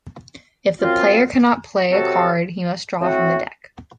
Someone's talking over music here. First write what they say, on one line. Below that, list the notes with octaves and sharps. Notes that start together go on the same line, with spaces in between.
If the player cannot play a card, he must draw from the deck.
F#2 F3 C4 F4
C3 F#3 C4 F#4 A4
A2 A3 C4 F#4